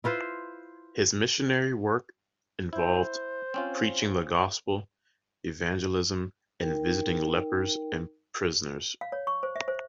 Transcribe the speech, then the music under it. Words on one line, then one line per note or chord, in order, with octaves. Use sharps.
His missionary work involved preaching the Gospel, evangelism, and visiting lepers and prisoners.
E4 F4 B4 C5
E4 C5
C4 C#4 F4
D#4 A#4 G5
F5
C#5
C#6
C5
E5
C5